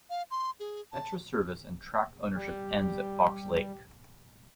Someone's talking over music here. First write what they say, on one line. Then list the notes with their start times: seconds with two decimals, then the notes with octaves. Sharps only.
Metra service and track ownership ends at Fox Lake.
0.10 F5
0.31 C6
0.60 G#4
0.92 A5
2.36 G3 G4